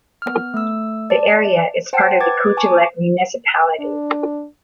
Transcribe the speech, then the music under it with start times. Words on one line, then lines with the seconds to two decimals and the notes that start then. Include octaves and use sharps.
The area is part of the Kujalleq municipality.
0.22 B3 F6
0.54 A3 E6
1.10 D5 A5
1.93 C5 F#5 G5 A5
2.20 B4 D6 G#6 A6
2.57 G#5 A5 C#6 D6
3.79 D4